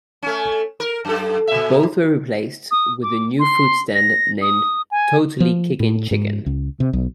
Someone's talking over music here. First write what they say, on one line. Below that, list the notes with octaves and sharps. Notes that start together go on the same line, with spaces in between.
Both were replaced with a new food stand named Totally Kickin' Chicken.
A3 C#4
A#4
F#2 A4
A#2 E5
D#6
D6
C6
A#6
D#6
G#5
F3
A2
G#2
C#2
C3
B1